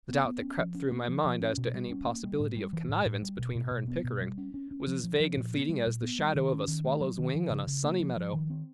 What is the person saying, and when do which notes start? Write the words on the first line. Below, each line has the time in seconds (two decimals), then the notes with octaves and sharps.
The doubt that crept through my mind as to any possibility of connivance between her and Pickering was as vague and fleeting as the shadow of a swallow’s wing on a sunny meadow.
0.09 B3
0.25 B3
0.42 C#4
0.58 F3
0.75 C#4
0.92 A#3
1.08 F3
1.24 F3
1.41 C#4
1.57 B2
1.74 G3
1.90 C#4
2.07 A#3
2.23 G3
2.40 A2
2.56 G3
2.73 E3
2.89 A2
3.06 A2
3.22 G3
3.39 B2
3.55 B2
3.71 B2
3.88 B3
4.04 B2
4.21 G3
4.38 C#4
4.54 C#4
4.71 C#4
4.87 F3
5.04 F3
5.20 F3
5.37 A#2
5.53 B3
5.69 G3
5.87 A#2
6.02 B3
6.19 G3
6.35 D#3
6.52 C#4
6.68 D#3
6.84 A3
7.01 F#3
7.18 D#3
7.34 F3
7.51 C#3
7.67 C#3
7.84 A#3
8.00 F3
8.16 F3
8.33 D#3
8.50 C4